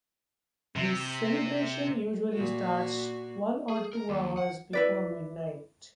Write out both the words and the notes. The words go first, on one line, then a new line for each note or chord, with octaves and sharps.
The celebration usually starts one or two hours before midnight.
C3
A#2 F#4
G#4
A#4
D#2
F#5
E4 B4 D5